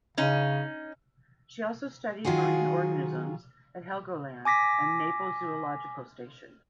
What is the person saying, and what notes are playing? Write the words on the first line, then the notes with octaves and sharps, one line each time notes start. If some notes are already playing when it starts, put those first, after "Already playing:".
She also studied marine organisms at Helgoland and Naples Zoological Station.
C#3 C#4 D#4
D#3 F#3 F4 F#4 G#4
G#5 D6 A#6 B6